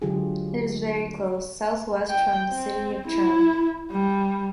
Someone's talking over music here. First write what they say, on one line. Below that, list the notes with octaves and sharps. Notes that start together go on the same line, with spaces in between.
It is very close, South-West from the city of Tremp.
D3 F#3 G#3 F4 G4 G#4
G5
C4
E4
G3